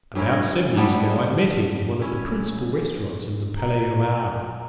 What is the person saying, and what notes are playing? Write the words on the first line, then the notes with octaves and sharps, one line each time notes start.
About seven years ago, I met him in one of the principal restaurants in the Palais Royale.
G2 C#4 E4 A#4
G3 B3 D4 E4
C#4 E4
A#5